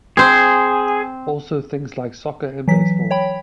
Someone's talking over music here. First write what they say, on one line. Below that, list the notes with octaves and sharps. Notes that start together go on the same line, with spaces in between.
Also things like Soccer and Baseball.
C4 G#4 C5
E3 F#3 B6
C#5 G5 B5